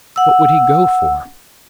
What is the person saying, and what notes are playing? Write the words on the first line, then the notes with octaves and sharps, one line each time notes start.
"What would he go for?"
F#5 E6